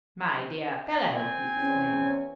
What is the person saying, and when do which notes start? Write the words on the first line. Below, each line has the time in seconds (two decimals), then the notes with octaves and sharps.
"My dear fellow!" he exclaimed.
1.16 C4 G#5
1.57 E2 C#4